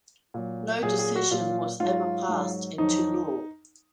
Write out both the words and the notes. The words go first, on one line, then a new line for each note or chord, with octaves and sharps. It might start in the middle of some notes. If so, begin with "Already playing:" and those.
No decision was ever passed into law.
A#2 F#3
A#2 F#3 G#4
G#4
F#4
A#2 F#3 F4
G#2 F#3 F4
G#2
F#3
F2 D#3 F#3 D#4